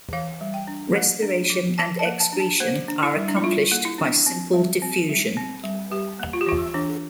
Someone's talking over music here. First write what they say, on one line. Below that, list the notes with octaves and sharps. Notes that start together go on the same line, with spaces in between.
Respiration and excretion are accomplished by simple diffusion.
E3 F5
G3
G5
D4
A#3
D4
F3
F3 A5
A5
A#3
A5
D4
A5
A#3 C5
D4
E4
G3
D4
E4
G3 F4
A#3
E4
D4
C4
G3
C4
G3
C4
G3
G3 G4
A#3
F4
G4
E3 F4
E3 D4